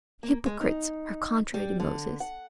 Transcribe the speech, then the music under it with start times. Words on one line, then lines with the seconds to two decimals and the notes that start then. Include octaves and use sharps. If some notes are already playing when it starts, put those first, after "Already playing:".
Hypocrites are contrary to Moses.
0.23 A#3
0.46 G#3
0.61 D#4
1.54 G3
1.80 D3
2.20 F#5